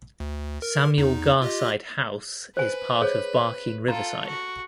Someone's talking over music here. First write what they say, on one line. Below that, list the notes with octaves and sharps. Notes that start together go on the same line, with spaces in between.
Samuel Garside House is part of Barking Riverside.
D2
A#4
E2 D#4
F4 G4 D#5
B4 C5 G#5
G#4 C5 C#5
F4 A4 A#5
F#4